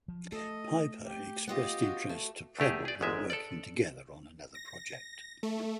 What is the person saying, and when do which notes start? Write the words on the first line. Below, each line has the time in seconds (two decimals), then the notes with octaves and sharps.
Piper expressed interest to Prebble in working together on another project.
0.08 F3
0.32 A3 A4 D#5
1.00 G4
1.47 B3 F4 G4 D#5
1.83 F#4
2.09 A3
2.59 E2 A3 G4 G#4
2.85 G#4 D5
3.01 G1 G#2 G#3 E5
3.30 A4 D5
4.55 A#6
5.43 A3